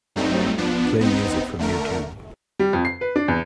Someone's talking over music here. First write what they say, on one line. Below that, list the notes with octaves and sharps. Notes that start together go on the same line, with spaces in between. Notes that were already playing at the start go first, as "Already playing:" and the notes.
Play music from Youtube.
G2 F#3 G3 A3 C4 D#4
F3 B3 D4
B3 C4 D#4
D3 A3 A#4
G3
F2
C7
B4
D4
E2